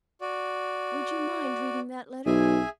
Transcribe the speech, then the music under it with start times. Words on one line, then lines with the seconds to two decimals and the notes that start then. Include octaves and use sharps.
Would you mind reading that letter?
0.21 F#4 D5
2.26 B1 G#4 E5 G#5